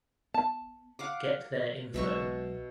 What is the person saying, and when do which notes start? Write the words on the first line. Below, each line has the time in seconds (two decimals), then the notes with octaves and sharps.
Get their info.
0.34 B3 A5
0.99 F5 F#5 D6
1.94 B1 B2 F#3 G#3 E5 C#6